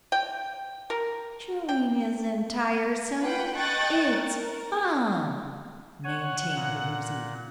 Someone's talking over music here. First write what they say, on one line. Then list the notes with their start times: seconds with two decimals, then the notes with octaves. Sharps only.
"Chewing isn't tiresome; it's fun," maintained the Woozy.
0.12 G5
0.90 A#4
1.69 G5
3.21 F4 B4 F#5 G5 B5
3.56 D#5 G5 A5 C#6 F#6 A6
4.13 A#4
6.04 C#5 F#5 G#5
6.55 A#2